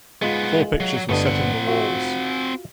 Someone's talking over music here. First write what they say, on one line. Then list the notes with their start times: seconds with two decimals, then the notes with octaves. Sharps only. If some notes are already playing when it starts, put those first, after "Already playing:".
Four pictures were set in the walls.
0.22 G#2 G#3 B3 F4
0.80 F#3
1.09 G1 A3 B3 D4 D#5
1.26 C4 F#5
1.67 F4 F#4